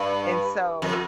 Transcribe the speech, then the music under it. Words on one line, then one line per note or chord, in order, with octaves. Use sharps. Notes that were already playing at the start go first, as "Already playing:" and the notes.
and so
Already playing: G2
F2